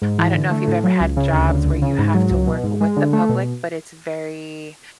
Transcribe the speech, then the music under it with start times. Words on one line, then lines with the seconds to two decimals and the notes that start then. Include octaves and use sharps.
I don't know if you've ever had jobs where you have to work with the public, but it's very
0.02 G#2
0.18 E3
0.35 D3
0.51 A3
0.68 A2
0.84 F#3
1.00 C#2
1.17 C#3
1.32 D2
1.49 D3
1.65 C#2
1.82 C#3
1.99 G#2
2.14 F#3
2.31 C#2
2.47 B2
2.64 G#2
2.81 G#3
2.97 D3
3.13 A3
3.29 B2